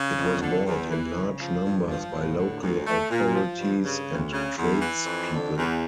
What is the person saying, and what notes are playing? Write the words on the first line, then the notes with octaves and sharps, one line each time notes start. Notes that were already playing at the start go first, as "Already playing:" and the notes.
It was bought in large numbers by local authorities and trades people.
Already playing: C#3
F2
D3
E2
E3
C#3
F3
G2
F3
A2
D3
D2
A3
A#2
F3
G2
C#3
D2
C#3
E2
E3
F2
D3
E2